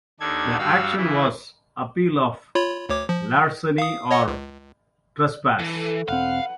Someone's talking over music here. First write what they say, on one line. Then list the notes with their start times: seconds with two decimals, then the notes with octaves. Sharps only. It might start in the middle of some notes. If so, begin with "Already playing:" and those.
The action was appeal of larceny or trespass.
0.20 D#2 D#3 D4 A4 G#6
0.58 G2 F#4 F5 E6
0.97 C#3 E3 E4
2.55 F4 C#5 B5
2.89 D2 C#5 D6
3.09 F3
3.78 F5 D#6
4.11 C#5 D#5 F#5
4.28 C#2
5.59 E3 A4
6.08 E1 C4 B4 F5 F#5